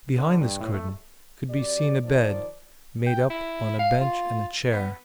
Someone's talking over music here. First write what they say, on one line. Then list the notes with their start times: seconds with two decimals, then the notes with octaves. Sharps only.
Behind this curtain could be seen a bed made up on a bench and a chair.
0.18 D3
0.41 G2
0.61 A2
0.74 A3
1.49 F#2 G4 D5
2.04 D#3 F3 D5
3.06 G5
3.30 E4
3.79 F5
4.01 F4
4.72 B3